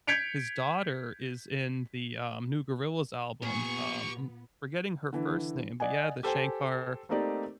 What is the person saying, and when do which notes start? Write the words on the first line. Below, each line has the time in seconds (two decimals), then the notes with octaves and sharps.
his daughter is in the, uh, new Gorillaz album. Um, I'm forgetting her first name, but, yeah, the Shankar,
0.07 G6 G#6 B6 C#7 D7 F7
3.43 A#2 B3 G4 G#5 C#6
5.13 D3 E3
5.80 D5 D#5 F#5 G#5
6.23 G4 A4 C5 G5 G#5
7.09 A3 A#3 C4 D#4 G4 D5